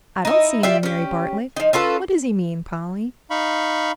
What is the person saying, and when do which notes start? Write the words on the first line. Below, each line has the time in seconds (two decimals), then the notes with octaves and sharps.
"I don't see any Mary Bartlett. What does he mean, Polly?"
0.25 D#4 E4
0.63 F4 G4 D5 E5
0.83 C#4 G4
1.57 F3 D#4
1.73 C#4 F4 A4 B4
3.30 D#4 F5 B5 C#6